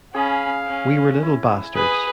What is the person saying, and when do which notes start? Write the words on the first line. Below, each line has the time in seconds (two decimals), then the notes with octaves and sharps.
We were little bastards.
0.14 C#4 G#4 F5 G#5 B5 D#6
0.67 C#4
1.23 E4
1.75 G#4 B4 D#6